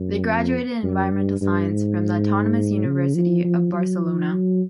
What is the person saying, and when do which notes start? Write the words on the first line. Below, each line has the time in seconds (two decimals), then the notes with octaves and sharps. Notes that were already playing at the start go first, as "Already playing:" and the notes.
They graduated in environmental science from the Autonomous University of Barcelona.
Already playing: F#2
0.26 F2
0.83 F#2
1.12 G2
1.41 G2
1.71 G#2
2.86 C#3
3.15 F3
3.44 F3
3.74 F#3
4.03 F3
4.32 F#3